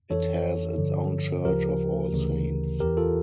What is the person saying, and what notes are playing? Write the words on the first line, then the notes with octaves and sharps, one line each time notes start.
It has its own Church of All Saints.
F2 E3 A4 C#5
G2 D3 F3
D2 C#3 F3 G4 A#4
D2 C#3 E3
E2 E3 G4 A#4
F4 A4